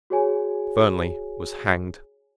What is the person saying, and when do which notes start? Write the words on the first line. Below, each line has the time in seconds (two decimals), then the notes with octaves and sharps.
Fernley was hanged.
0.10 F#4 G#4 C#5 G#5